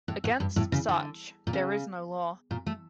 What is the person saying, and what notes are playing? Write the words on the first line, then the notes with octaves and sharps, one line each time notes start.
Against such there is no law.
A2
A2
G2
A2
C#3
D3
A#2
C#3
A#2
A3